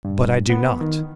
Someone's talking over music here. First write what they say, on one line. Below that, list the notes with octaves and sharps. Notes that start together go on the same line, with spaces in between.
"But I do not."
G2
B3
D#3